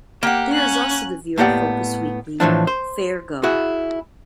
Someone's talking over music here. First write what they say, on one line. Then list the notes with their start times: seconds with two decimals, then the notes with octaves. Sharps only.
There is also the viewer focused weekly "Fair Go".
0.23 A#3 G4 F#5
0.52 C#4 F#6
1.38 A2 A#3 B3 G4 D5 F#5
2.40 A2 E3 F3 D4
2.67 C5
3.43 E4 F#4 G#4